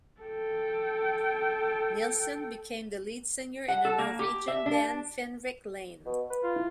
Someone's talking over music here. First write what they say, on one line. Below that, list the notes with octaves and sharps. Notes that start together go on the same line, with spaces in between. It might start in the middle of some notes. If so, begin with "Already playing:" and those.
Nilsen became the lead singer in the Norwegian band "Fenrik Lane".
A4 G5
F#5
A4
A#3
G4
E5
D4
B2
B4
F4
E4